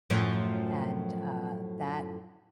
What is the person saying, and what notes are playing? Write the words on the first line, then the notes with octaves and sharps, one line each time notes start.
and, uh, that
F#2 A2 F3